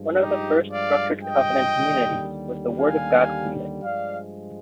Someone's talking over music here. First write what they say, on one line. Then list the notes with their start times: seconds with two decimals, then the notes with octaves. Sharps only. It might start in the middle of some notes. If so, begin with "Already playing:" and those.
One of the first structured covenant communities was the Word of God Community.
Already playing: G2 F3 G#3
0.18 D#4 G4
0.70 D5 F5
1.23 D#5 G5
1.75 D#2 D3 G3
2.79 F5 G#5
3.83 G2 F3 G#3 D5 F5